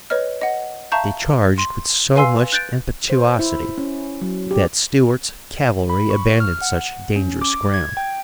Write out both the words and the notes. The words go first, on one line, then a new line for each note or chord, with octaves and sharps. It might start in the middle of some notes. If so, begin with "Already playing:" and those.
They charged with so much impetuosity that Stuart's cavalry abandoned such dangerous ground.
B4 C#5 D#5 F6
D#5 F#5
E5 F5 A5 A#5 C#6 G6
C6
B4 F5 G#5 C6 E6 C7
F#6 G6 A6 D7
C5
E4
C#4
F#3
G4
B5
C#6
F6
F#5
C#4
D6
G#6
G5